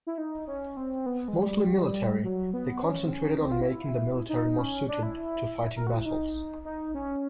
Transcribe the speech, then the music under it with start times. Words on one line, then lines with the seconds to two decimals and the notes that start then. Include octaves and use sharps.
Mostly military, they concentrated on making the military more suited to fighting battles.
0.07 E4
0.18 D#4
0.48 C#4
0.77 C4
1.06 B3
1.28 G#3
1.35 G3
2.24 F#3
2.54 B3
2.83 C#4
3.04 C4
3.13 C#4
3.41 C4
3.52 F4
3.61 E4
4.29 D#4
4.58 C#4
4.88 D4
5.03 E4
5.77 A#4
5.87 F#4
5.96 E4
6.06 D#4
6.65 D#4
6.94 C#4